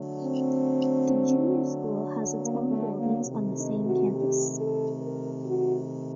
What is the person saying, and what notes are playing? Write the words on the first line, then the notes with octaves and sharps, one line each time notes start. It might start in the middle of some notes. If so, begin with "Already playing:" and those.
The Junior School has its own buildings on the same campus.
Already playing: D3 F#3 A3
C4
A#3
A3
A#3
C3 D#3 A3
D#4
F#4
G4
A4
A#4
F#4